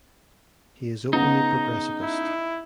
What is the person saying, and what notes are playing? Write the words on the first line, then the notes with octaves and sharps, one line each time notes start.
He is openly progressivist.
C#3 B3 D#4 A#5
E4